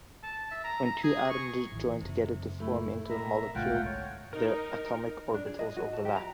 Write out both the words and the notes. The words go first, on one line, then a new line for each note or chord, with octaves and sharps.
When two atoms join together to form into a molecule, their atomic orbitals overlap.
A5
E5
A#5
A#5
G#4
C#6
A1 E3 E4
F#1 C3
A3 E4
B2 A#3 E5 A#5
G1 C2 A2 G#3 F4 F#5 G5
C#5
D#4 A#4
D4
G#4
D#5
F#4
A5
G4
A#5